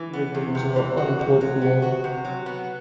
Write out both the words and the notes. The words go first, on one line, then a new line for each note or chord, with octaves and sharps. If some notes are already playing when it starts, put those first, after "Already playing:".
Rigney was not unemployed for long.
Already playing: E3
B3
E2
C3
E3
F#4
C3
F#3
B3
F#4
C3
F#3
B3